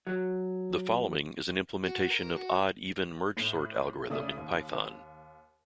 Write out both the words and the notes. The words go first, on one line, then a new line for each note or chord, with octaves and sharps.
The following is an implementation of odd-even mergesort algorithm in Python.
F#3
F#4
A#4
F#4
A2
C#3 A3 D5 D#6
D#2